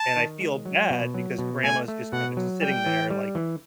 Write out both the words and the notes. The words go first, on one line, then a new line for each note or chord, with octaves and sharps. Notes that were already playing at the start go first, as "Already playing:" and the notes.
and I feel bad because grandma's just kind of sitting there, like,
Already playing: A5
D#3
G#3
F#3
B2
F#3
B2
A3 G#5
A3
B2 F#5
F#3
G3 G5
E3
G3
E3